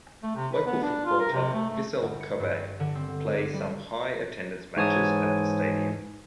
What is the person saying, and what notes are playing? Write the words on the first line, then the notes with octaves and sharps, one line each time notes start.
Local football club Vissel Kobe play some high attendance matches at the stadium.
A3
C3
B4
B3
D4
F4
A#4
C3
A3
A3
G1
C#7
G2
D3
C4
D5
G3
G#2 E3 C#5 G#5 A5 D#6